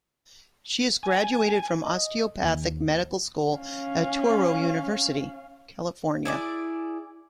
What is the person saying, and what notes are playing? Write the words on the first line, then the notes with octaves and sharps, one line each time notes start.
She is graduated from osteopathic medical school at Touro University California.
G#5
D#5
D#2
C#4 F5
E4 G#4 D5